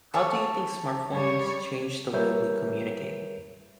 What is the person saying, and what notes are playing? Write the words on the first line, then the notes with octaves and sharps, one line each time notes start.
How do you think smartphones change the way we communicate?
A4 C#5
G3 C#5
G3 A#4 B4 C#5 E5 G6